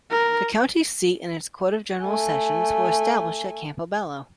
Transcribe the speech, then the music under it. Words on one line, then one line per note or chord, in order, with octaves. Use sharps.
The county's seat and its court of general sessions were established at Campobello.
A#4
A3 G#5